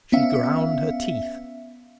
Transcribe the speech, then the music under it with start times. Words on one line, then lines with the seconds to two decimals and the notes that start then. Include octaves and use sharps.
She ground her teeth.
0.12 B3 C#4 E5 F5